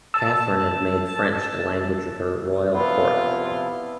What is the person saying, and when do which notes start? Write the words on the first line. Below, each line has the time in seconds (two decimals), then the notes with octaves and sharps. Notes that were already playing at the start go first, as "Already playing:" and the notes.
Catherine had made French the language of her royal court.
0.14 A5 E6
2.74 C3 F3 B3 E4 F4 B4 D5 F5